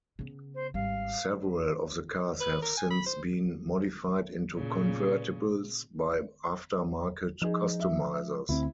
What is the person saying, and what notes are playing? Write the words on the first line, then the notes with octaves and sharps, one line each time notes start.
Several of the cars have since been modified into convertibles by after-market customizers.
C#3 B3
C5
G#1 G3 F5
B4
A#4
G#5
B5
C5
A#2 C#3
F3 D#4 G#4
E5
D2 C4 E4